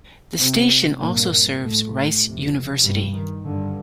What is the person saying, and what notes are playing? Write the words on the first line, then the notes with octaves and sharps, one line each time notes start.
The station also serves Rice University.
C3 C4
G2 A#2 A#3
A2 A3
F2 C3
G2 G3
D#3
G2 D3